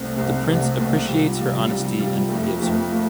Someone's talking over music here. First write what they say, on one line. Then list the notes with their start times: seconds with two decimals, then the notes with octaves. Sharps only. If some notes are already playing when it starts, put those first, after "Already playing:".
The Prince appreciates her honesty and forgives her.
Already playing: C2 C3 A3 C4
0.16 C2 C3 A3 C4
0.47 C2 C3 A3 C4
0.77 C2 C3 A3 C4
1.08 C3 G3 F4
1.38 C3 G3 F4
1.68 C3 G3 F4
1.99 C3 G3 F4
2.29 F2 F3 A3
2.60 F2 F3 A3
2.91 F3 A3